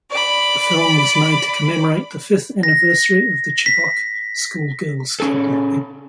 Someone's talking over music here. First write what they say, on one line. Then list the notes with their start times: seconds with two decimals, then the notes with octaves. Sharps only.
The film was made to commemorate the fifth anniversary of the Chibok schoolgirls kidnapping.
0.10 D5 B5
2.63 A#6
3.66 B6
5.20 C#4 G#4 A4